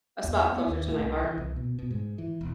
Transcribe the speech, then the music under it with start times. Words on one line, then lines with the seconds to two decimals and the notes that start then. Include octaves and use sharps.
a spot closer to my heart.
0.24 E2
0.52 B3
0.67 D#2
0.87 A2
0.99 C2
1.23 E3
1.38 C2
1.56 B2
1.79 B2
1.91 G#2
2.18 E3
2.41 E1